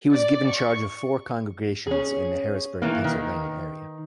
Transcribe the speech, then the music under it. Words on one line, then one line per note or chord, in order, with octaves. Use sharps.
He was given charge of four congregations in the Harrisburg, Pennsylvania area.
D5
C#6
C#4 G#4
D#3 E3 A#3
D#3